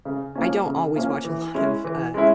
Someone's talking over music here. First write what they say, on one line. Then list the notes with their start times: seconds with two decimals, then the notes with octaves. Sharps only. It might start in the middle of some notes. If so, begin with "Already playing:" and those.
I don't always watch a lot of, uh,
0.05 C#3
0.35 F3 A#3 C#4
0.66 C#3
0.95 F3 A#3 C#4
1.25 E3
1.54 G#3 C#4 E4
1.84 E3
2.14 G#3 C#4 E4